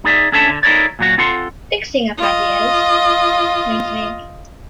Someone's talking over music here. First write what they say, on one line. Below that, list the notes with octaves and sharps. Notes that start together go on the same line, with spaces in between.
Fixing up Ideas.
D#4 G#4 D5 E5
C#4 D4 A4 C#5 E5 A5
D3
D#4 E4 A4 A#4 C#5 D5
A#2 F#3 F#4
C4 F4 A4 F#5 C6
F4 D#5